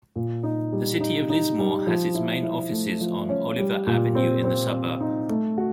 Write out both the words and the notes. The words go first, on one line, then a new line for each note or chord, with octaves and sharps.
The City of Lismore has its main offices on Oliver Avenue in the suburb.
A#2
D#4
G3
D#4
D#4
G3
F3
E4
E4
A3
F3
C#4
G3
A#2
C4
C4
C4
D#4
A3
F#4